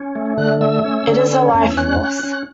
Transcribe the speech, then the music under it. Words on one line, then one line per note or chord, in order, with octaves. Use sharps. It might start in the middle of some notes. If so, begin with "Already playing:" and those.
It is a life force.
Already playing: C#4
A3
D3 F#6
A3 E6
C#4
D3
C#4
E2
E6
C#4 F#6
C#4
C#4